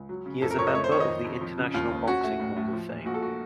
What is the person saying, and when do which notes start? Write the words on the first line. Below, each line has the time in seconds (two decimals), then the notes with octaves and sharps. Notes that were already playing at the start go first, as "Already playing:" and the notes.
He is a member of the International Boxing Hall Of Fame.
Already playing: C#2
0.09 F#3
0.26 C#3
0.42 F2 A4
0.51 A#4
0.58 F2 C#5
0.67 D#5
0.75 A3 C#5
0.84 C5
0.92 D#3 C#5
1.00 D#5
1.08 F2
1.24 F2
1.41 F3
1.58 C#3
1.74 D#2 F4
1.91 D#2
2.07 C#4 F#4
2.24 A3
2.40 A2
2.57 A2
2.73 F3
2.89 A#2
3.05 A#1 F#4
3.14 A4
3.22 F#4